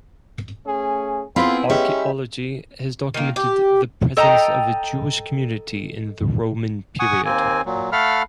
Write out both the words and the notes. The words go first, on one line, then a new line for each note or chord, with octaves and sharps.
Archaeology has documented the presence of a Jewish community in the Roman period.
A3 C#4 G#4
B3 C4 E4 F4 G#4 B5
G#3 C#4 G4 E5
D#3 A#3
G4
A4 D#5 G5 A#5
F#5 G#5 C#6 D#6
D#2 A#3 C4 G#5
A#2 F#3
A3 A4 F5 F#5 B5 F6